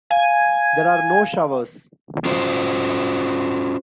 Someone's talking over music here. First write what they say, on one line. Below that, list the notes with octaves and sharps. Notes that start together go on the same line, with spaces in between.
There are no showers.
F5 G#5
C#4 F4 F#4 C5